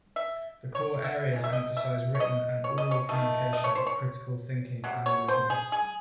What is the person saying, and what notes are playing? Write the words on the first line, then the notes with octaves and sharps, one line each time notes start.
The core areas emphasize written and oral communication, critical thinking and reasoning.
E5
C#5
E5
D#3 G#3
E5
D#5
E5
C#5
D#5
C#5
D#5
C#5
D#3 A3 D#5
D#5
C#5
C5
C#5
C3 F#3
C#5
C5
G#4
G#4